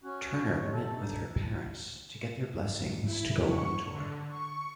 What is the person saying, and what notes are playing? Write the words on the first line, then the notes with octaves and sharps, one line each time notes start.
Turner met with her parents to get their blessings to go on tour.
C#4 F#4
B2
C3 C#5
A4
D4 D#4
E4
C#6
D3
C#6